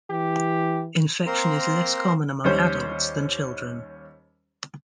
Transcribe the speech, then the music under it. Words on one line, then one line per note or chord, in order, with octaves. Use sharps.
Infection is less common among adults than children.
E3 G4
A#3 C4 A#4 A#5 C6
D#2 G3 C#4 C5